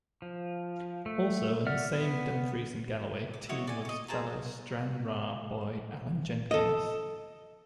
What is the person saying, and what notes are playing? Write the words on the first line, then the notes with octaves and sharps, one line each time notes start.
Also in the same Dumfries and Galloway team was fellow Stranraer boy Allan Jenkins.
F3
A3
D5 E5 F#5 F6
B3
D6
E4 F#4 C#5 D#5
D5 G#5
D#5 C#6
G#4 C5 A5 A#5
A4 D#5